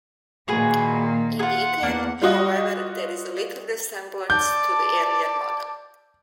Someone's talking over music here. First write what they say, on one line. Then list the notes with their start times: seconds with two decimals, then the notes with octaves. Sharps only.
In detail, however, there is little resemblance to the earlier model.
0.48 A#2 D#3 A#3 F#4 G#4 B4
1.39 F4 G#4 F#5
1.83 E2 A#3 D4
2.22 G3 F4 F#4 D#5
4.30 D5 A5 G6